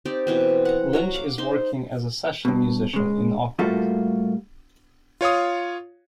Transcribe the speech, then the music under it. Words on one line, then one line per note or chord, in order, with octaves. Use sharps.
Lynch is working as a session musician in Auckland.
C4 D#4 G4 D5
B2 E3 C4
F#5 A#5
F#3 C#5 A#5
F5 D6
D#4 C5 C6
G2 B2
C#3 G#3
A2 G3 A3 A#3 F4 F#4
F4 C#5 F5 D#6